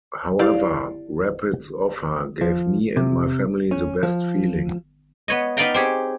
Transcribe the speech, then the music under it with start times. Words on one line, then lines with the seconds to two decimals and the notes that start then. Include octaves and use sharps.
However, Rapid's offer gave me and my family the best feeling.
0.39 E4 G4 D5 F5
2.41 F3
2.97 C3
3.71 C#4
4.03 F3
5.28 B3 C#5 D#5
5.57 B3 D#4 D5 F5 G5 A#5
5.74 C4 G4 G#4 C#5